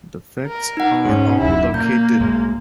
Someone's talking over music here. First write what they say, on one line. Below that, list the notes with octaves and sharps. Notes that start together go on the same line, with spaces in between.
The facts are all docketed.
A#4
D#4 F#5
G#2 G#3 C#4
D1 F#2 E4
A#2 A#3 G6
B1 A2 G#3